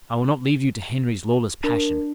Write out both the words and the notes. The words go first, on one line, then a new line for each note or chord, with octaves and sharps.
"I will not leave you to Henry's lawless passion."
D4 A#4